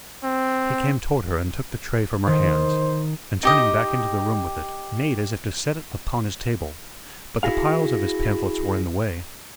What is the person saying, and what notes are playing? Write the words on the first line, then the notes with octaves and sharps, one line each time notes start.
He came toward her and took the tray from her hands, and, turning back into the room with it, made as if to set it upon his table. But the piles of his pamphlets were in the way.
C4
D#3 C5
D#4 G4 D#5
E4 F#4 G#4 F5